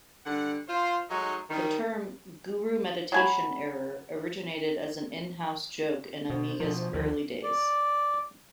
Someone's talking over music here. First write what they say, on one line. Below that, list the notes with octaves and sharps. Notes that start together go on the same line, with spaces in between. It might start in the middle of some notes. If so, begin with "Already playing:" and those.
The term "Guru Meditation Error" originated as an in-house joke in Amiga's early days.
D3 G3 F#5
F4 C5
F#3 G#3 A3 D#4
D#3 G3
F#3 G#5 B5
B2 C5
B2 F3
D2 D#3 F3
D5